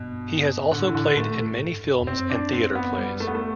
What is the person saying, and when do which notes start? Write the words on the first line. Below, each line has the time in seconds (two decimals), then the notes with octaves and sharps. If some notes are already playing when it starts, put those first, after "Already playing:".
He has also played in many films and theater plays.
Already playing: G2 B2
0.72 A2 D3
0.88 E3
0.95 A2 D3
1.16 A2 A3
1.39 A2
1.63 G2
1.85 G2
2.00 E2
2.07 F#2 C4
2.30 D4
2.53 C4
2.75 B3
2.98 G3
3.20 A3
3.27 B3
3.35 A3